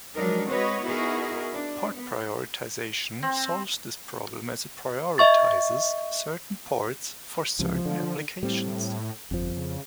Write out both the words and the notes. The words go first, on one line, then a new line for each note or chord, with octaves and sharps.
Port prioritization solves this problem as it prioritizes certain ports for certain applications.
F3 F#3 G#3 D4 D#4 A#4
G#3 C4 F#4 B4 C#5 D#5
B3 D#4 E4 F#4 G#4 A#4
D4
B3
C4
D#5 E5 C#6 A6
C#2 C3 E3 F3
D3
A2 G3 C4
G1 F2 F3
C#3